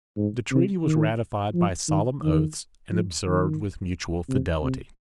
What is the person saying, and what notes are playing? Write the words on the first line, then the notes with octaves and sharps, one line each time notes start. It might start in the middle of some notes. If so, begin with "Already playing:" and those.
The treaty was ratified by solemn oaths, and observed with mutual fidelity.
G#2
C3
D#3
F3
D#3
D#3
F3
D#3
C3
C3